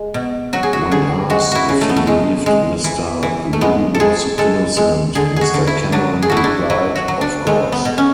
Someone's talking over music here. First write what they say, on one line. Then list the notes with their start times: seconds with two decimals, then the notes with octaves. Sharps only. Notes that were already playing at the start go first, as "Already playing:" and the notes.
When asked if he believed Mr Lew was innocent, Mr Cameron replied: of course.
Already playing: G#3
0.14 B2
0.53 F#3 F#4
0.63 G#4
0.73 F#4
0.91 D3 G#4
1.30 G#3 F#4
1.52 E4 F#4
1.69 C#3
1.81 A3
1.89 B3
1.96 A3
2.07 G#3
2.46 G#3
2.84 E3
3.23 E3
3.53 A3
3.61 G#3 B3
3.94 A4
4.00 G#3 G#4
4.38 G#3 A4
4.77 G#3
5.15 D3 G#4
5.36 F#4 G#4
5.54 D3
5.67 E4
5.92 F#3 D4
6.22 G#4
6.30 A3 F#4
6.37 E4
6.44 D4
6.70 F#3 E4
6.96 F#4
7.08 F#3
7.21 D4
7.47 G#3 A3
7.72 B3
7.85 B2
7.98 C#4